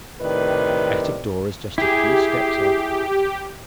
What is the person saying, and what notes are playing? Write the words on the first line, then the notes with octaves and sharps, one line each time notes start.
The attic door is just a few steps off.
A2 C3 D#3 B4 D5
E4 G4 G#4